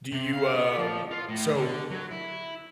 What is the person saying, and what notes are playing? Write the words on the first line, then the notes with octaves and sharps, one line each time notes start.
Do you, um so,
C3
F5
B3
F3
F4
A2
D3
F#3
E4